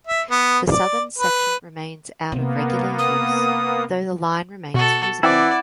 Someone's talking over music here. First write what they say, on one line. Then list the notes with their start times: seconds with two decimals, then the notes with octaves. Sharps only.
The southern section remains out of regular use, though the line remains usable.
0.07 E5
0.31 B3
0.70 D5
1.19 B4
2.32 C3 A#3 B3
2.99 D#6
4.74 B2 F#4 A4
5.23 E3 C4 E4 D5 F#5 D6